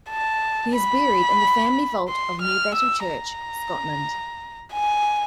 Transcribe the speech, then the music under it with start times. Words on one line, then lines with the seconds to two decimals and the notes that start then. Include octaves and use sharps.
He is buried in the family vault of Newbattle Church, Scotland.
0.10 A5
0.76 B5
2.09 C6
2.42 F6
2.75 E6
3.08 A#5
4.73 G#5